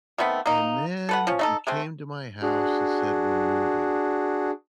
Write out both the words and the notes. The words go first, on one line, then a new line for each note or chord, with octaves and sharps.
and then he came to my house and said, "We're moving,"
D#3 A3 B3 C4
A#3 D#4
A4 B4 F#5
F3 C#4
A3 D#4 A4
G#3 A3 C4
D4 F#4 G#4